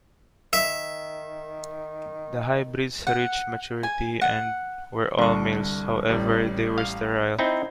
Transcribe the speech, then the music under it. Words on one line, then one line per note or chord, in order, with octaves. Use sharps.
The hybrids reached maturity and were all males, however they were sterile.
D#3 E5
F#5
G#5
F#5
C2 D3 C#6
A1 G3
F5
C4 D#4 E4